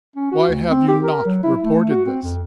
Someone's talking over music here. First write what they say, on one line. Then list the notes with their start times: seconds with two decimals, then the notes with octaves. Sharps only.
Why have you not reported this?
0.16 C#4
0.31 F#4
0.49 D2
0.70 C4
0.88 G4
1.03 A#4
1.25 F#3
1.43 E4
1.63 A3
1.90 F#4
2.06 C4
2.23 F2